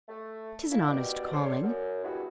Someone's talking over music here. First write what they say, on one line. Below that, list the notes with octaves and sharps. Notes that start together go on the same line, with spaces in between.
'Tis an honest calling.
A3
A#3 E4
B2 D#3 G4 D5
C#4 D4 G#4 A4 C5 D5
F#2
G3 G#3 B3 D4 E4 F#4